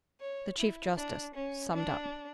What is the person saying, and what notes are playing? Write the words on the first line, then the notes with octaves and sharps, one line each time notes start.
The chief-justice summed up.
C#5
E4
D4
C#4
D4